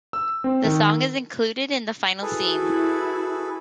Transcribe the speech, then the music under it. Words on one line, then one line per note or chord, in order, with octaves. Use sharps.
The song is included in the final scene.
E6
C4
D#3
E4 F#4 G#4 A4 B4